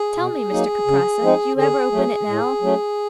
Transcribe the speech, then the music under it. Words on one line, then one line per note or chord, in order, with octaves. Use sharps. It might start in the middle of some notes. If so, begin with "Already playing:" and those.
Tell me, Mr Kuprasso, do you ever open it now?'
Already playing: G#4
B2
F#3 A#3 D#4
C#3
F3 G#3 C4 D#4
D3 G#4
F#3 A3
A2
F#3 A3 C#4